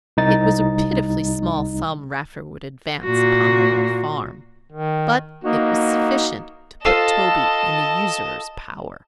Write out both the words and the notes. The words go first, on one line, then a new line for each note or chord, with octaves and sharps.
It was a pitifully small sum Raffer would advance upon the little farm; but it was sufficient to put Toby in the usurer's power.
C2 D#4 A6
A#2 F#4
D#3
A#3 D#4 F#4
F4 A4 C5 D#5 A5